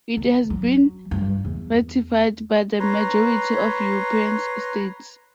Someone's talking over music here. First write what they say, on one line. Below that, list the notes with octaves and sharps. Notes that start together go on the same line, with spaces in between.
It has been ratified by the majority of European states.
D#3
F#3
G2
E2
B4 C#5 A#5 C6